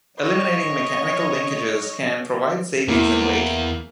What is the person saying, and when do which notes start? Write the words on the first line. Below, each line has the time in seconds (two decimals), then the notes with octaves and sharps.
Eliminating mechanical linkages can provide savings in weight.
0.20 C#5 D#5
2.88 E2 A#3 E4